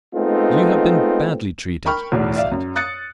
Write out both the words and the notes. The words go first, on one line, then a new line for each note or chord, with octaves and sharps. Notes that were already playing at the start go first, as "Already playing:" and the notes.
"You have been badly treated," he said.
G#3 A3 B3 C4 D#4 F4
A#4 G5 B5 C#6 F6
B1 E2 A2
D5 E5 F5
F#2
D#6 F#6 A6 C#7